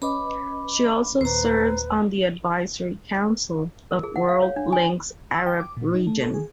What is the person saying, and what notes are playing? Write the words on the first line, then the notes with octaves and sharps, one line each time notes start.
She also serves on the Advisory Council of World Links Arab Region.
C#4 B4 D#5 B5 D6
D#2 A#2 B4 C5 A#5
A#4
G#4
F#5
F5
C#5
D4
G#5
E6
G5
D6
A#2
D#4
A3
A4
G#4